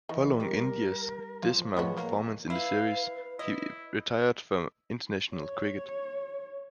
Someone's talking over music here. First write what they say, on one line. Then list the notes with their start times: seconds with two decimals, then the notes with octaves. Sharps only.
Following India's dismal performance in the series, he retired from international cricket.
0.09 D#3 E3
0.40 G3 A#4
1.43 F3 F4
1.77 A2 G#3 B3 F#4 C#5
1.97 A#3 A#5
2.50 E4 B4 F5
3.39 E4 D#5
5.36 C#5